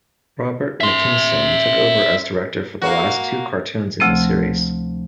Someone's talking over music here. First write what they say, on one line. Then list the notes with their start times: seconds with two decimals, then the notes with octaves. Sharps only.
Robert McKimson took over as director for the last two cartoons in this series.
0.81 E5 C6
2.82 A#3 F#4
4.00 D2 C3 F3 A3 C4